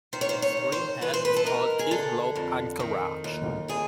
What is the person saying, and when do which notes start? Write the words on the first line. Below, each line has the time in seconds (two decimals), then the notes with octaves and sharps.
The extreme head is called Kitlope Anchorage.
0.13 D#3 C5
0.21 C#5
0.29 C5
0.42 C#5
0.57 G2
0.72 C5
1.01 E3 B4
1.14 C5
1.25 B4
1.36 A4
1.46 G#2 A#4
1.79 G#4
1.91 D3 A4
2.36 F2
2.80 D#3
3.24 D#2
3.68 D3 G#4